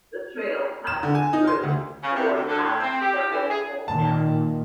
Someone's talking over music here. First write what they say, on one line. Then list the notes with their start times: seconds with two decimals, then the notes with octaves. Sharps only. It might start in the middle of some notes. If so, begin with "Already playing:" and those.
The trail passes through or past several small towns.
0.87 E7
1.03 D3
1.15 G#5
1.33 D#4
1.47 C6
1.63 D2
2.02 C#3
2.14 C3
2.31 D2
2.47 D3
2.62 A2
2.80 C4
2.99 G4
3.31 E3
3.48 G#4
3.88 A#2 D#3 A5